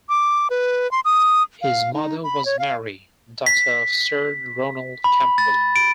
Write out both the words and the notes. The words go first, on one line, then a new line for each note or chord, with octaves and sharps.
His mother was Mary, daughter of Sir Ronald Campbell.
D6
B4
C6
D#6
F5
D#4
B5
C#5
F5
B6
B5
A6
D7